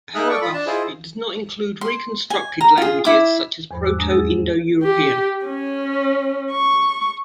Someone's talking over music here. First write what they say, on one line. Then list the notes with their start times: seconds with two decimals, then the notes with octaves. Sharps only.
However, it does not include reconstructed languages such as Proto-Indo-European.
0.15 D#4 G#4 D#5 E5 F6 F#6
0.29 A4 D5 C#6
0.42 F4 B5
0.54 D4 A5
0.66 E4 F4 G#4 C5 D#5
1.81 C6
2.30 G#5
2.61 A#5
2.77 F4 G#4
3.05 E4 D6
3.71 E2 G#2 F3 C5 B5
3.84 D6 E6 F#6
3.98 D#2 G#3 D4 A#5 D#6 A#6
4.11 F#3 G#4 E6 A6
4.31 C5
4.83 G4
5.46 C#4
6.51 C#6